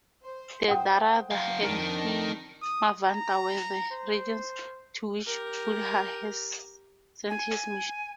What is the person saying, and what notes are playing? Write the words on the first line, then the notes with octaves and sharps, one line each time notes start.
The Darada and Himavanta were the regions to which Buddha sent his missionaries.
C5
F#5 G5 D#6
F#3 F5
F2 D4 D#4 A#4
D#6
A#5
C5
G4 A#4
G#5